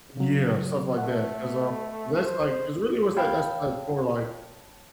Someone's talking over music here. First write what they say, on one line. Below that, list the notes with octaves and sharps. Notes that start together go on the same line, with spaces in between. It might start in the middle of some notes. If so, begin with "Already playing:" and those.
Yeah, stuff like that, 'cause, um, 'cause that's like 'cause really what's that that's what that's for, like,
C#3 F#3
A3 F#5
C5
C#5 F5 G5 A5 B5